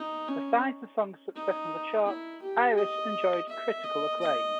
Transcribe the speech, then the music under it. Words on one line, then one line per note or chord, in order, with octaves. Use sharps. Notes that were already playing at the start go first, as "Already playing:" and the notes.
Besides the song's success on the charts, "Iris" enjoyed critical acclaim.
Already playing: D#4
C#4
D#4
E4
G4
D#5
E5
D#5
D#5